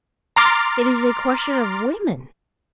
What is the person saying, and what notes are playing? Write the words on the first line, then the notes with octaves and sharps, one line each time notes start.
It is a question of women.
A#5 C6 D6 F6 A6